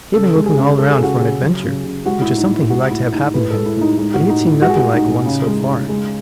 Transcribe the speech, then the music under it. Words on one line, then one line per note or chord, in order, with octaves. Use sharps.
He had been looking all around for an adventure, which was something he liked to have happen to him, but he had seen nothing like one so far.
C#3 A4
G#3
G#4
C#3
G#4
G#3 A4
G#4
C#3 F#4
G#4
C#3
F#3
C#3
C#3
G#3 F#4
E4
A2
D#4
A2
E4
G#3 F#4
A2 E4
E4
A2 D#4
A2 B4
G#3 A4
E4
A2 D#4
G#3 D#4
F#4
A2
D#4
A2
E4
G#3 F#4
G#4
F#4
A2
D#4
A2
C#3
G#3
C#3
G#3